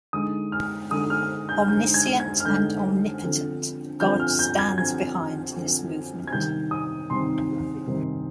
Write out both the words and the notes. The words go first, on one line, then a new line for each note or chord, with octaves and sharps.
Omniscient and omnipotent God stands behind this movement.
D3 G#3 D#4 D#6
F6
D3 G#3 D#4 D#6
F6
G6
F6
D3 G#3 D#4 G6
G#6
G#6
F6
D3 G#3 D#4 G6
D3 F3 C4
D3 F3 C4 G6
F6
G6
G#6
D3 F3 C4 G#6
D3 F3 C4
G#6
C3 D#3 G3 C4 D#4 G6
D#6
C3 D#3 G3 C4 D#4 C6
C3 D#3 G3 C4 D#4